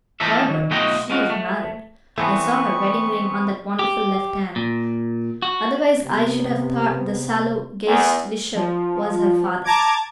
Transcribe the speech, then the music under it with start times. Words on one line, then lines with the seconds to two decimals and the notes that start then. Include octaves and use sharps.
However, she is married; I saw her wedding-ring on that wonderful left hand, otherwise I should have thought the sallow Geistlicher was her father.
0.20 E3 F3 A#3 D#4 A4 E5
0.48 D#3
0.71 B1 A3 F4 F#4 D#5 G5
1.10 G#3 F4 F#4
1.30 A3
2.18 E3 A3 B3 C4 A5 C#6
3.79 G4
4.56 A#2
5.42 F#4
6.02 C3 B3
7.87 E2
8.55 F3
9.64 A5 A#5 D6 G#6